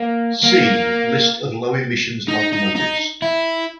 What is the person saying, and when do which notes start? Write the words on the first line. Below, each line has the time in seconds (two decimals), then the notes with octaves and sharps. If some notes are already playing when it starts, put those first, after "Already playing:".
"See" List of low emissions locomotives.
Already playing: A#3
0.43 A#3
2.28 D#4
2.53 D#4
2.76 D#4
3.22 E4